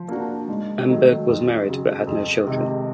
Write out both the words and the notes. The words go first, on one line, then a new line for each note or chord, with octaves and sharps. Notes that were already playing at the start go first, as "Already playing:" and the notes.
Amberg was married but had no children.
Already playing: F3
A#3 D4 F#4
G#2
D#3 F#3 A3
F2
C#3 F#3
F2
C3 D#3 G#3